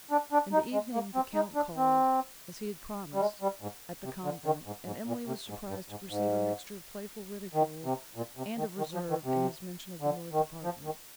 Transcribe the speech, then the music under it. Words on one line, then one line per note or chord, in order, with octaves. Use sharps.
In the evening, the Count called, as he had promised, at the convent, and Emily was surprised to perceive a mixture of playful ridicule and of reserve in his mention of the north apartment.
D4
D4
D#4
G#3
A#3
C4
D#4
D4
C4
G3
G#3
G3
G#2
C3
D3
D#3
G#2
G#2
A#2
C3
G#2
G2
G#2
G#2
D#3
C3
A#2
C3
D#3
D#3
F3
D#3
C3
D3
D#3
F3
D#3